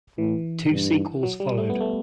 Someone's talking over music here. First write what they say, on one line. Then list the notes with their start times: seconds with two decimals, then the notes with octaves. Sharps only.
Two sequels followed.
0.18 A2 E3
0.71 G2
1.23 F#3
1.40 G3
1.58 A3
1.70 B3
1.81 A3